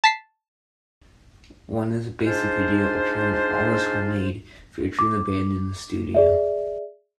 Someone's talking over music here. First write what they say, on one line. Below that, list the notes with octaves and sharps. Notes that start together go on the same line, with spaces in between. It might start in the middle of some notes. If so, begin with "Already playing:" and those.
One is a basic video, appearing almost homemade, featuring the band in the studio.
A5 B6 C7
G#3 D4 D#4 F4 C5
D6
G#4 D5 E5